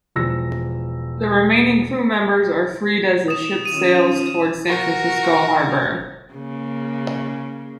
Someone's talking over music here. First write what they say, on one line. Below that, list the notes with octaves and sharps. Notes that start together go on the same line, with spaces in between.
The remaining crew members are freed as the ship sails towards San Francisco harbor.
E1 F3 E6 A#6
D#6 E7
D#3 C#4 F4 D#7
F#4 A#4
C#3 A#3